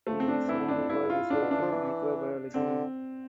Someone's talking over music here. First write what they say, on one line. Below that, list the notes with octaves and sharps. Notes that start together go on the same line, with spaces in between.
He is known for his work in microbiology.
F3 A3
C4
D4
E3 E4
D3
D4
F2
G2 E4
F4
A2 D4
B2
E3 D4
F3
E3
D3 C4